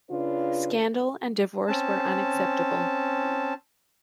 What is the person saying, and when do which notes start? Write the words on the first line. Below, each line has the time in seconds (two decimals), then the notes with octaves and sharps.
Scandal and divorce were unacceptable.
0.10 C#3 D4 F4 B4
1.68 C4 C#4 A5